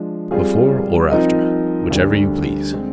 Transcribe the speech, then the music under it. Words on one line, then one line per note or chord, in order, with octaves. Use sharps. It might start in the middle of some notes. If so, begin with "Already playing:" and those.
"Before or after, whichever you please."
Already playing: F3 G#3 D4
G3 C4 F4 G#4
F3 C4 D#4 A#4 D#5
D2 D3 G3
D3 G#3 C4